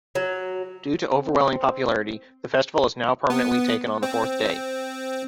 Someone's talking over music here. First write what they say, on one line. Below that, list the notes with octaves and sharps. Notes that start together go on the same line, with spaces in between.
Due to overwhelming popularity, the festival has now permanently taken on the fourth day.
F#3
C4
B3
C4